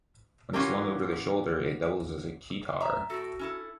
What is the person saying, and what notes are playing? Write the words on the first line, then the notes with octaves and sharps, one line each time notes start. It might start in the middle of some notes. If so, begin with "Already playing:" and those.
When slung over the shoulder it doubles as a "keytar".
E3 F#3 C#4 F4 G4 A#4
E5 A#5
A2 F#4 A4
C#4 E4 A4